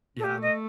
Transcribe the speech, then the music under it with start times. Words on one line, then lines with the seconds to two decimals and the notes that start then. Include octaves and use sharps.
Yeah, that
0.19 A4
0.23 A3 G4
0.41 D#5